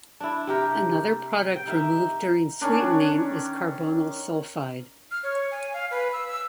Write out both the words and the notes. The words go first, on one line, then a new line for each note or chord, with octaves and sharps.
Another product removed during sweetening is carbonyl sulfide.
D4 E4
C3 G4 A#4
G5
D#4 G4 A#4 E5
D#3 C#4 D4
F6
C#5
G#5
F5
B4
E6
E6